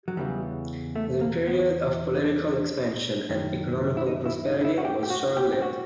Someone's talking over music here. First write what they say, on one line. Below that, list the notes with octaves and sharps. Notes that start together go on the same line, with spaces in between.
The period of political expansion and economical prosperity was short-lived.
F#3
E2 C#3 E3 G3
A3
A#3
B3
D#4
D4
F#2 D#3
E4
D#4
E4
D#4
D#4
E4
F#4
G4
G4
F#4
G4
G4
F#4